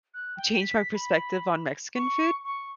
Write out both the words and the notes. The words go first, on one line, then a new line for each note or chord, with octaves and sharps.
changed my perspective on Mexican food,
F#6
G5
B6
B5
C#6
C#6